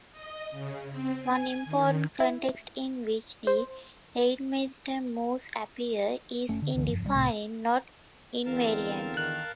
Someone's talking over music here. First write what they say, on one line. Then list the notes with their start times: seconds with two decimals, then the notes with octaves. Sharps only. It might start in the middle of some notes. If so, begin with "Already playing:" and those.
One important context in which the Reidemeister moves appear is in defining knot invariants.
0.12 D#5
0.51 C#3
0.90 C4
1.19 G#5
1.65 D#3
2.20 E4
3.47 C5
6.48 F#1 A3 C#4
6.62 D3
6.75 F#1 C#2 D3 E3
6.87 F1 G2 F3
7.03 B1 C3 G3
7.16 C2 A2 C3 A3
8.45 E2 D3 C4 A#4 F5 A5
9.17 D#3 F#6